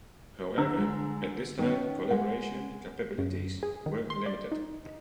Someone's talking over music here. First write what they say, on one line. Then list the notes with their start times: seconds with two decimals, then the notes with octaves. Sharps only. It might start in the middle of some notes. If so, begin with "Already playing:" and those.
However, at this time, collaboration capabilities were limited.
0.58 D3 A#5 E6
0.77 G#3
1.59 D#3 A3 B3 C#4
2.11 G#3 F#5
3.18 F#2
3.63 G#4
3.86 D#3
4.10 C6
4.26 D5
4.52 D#4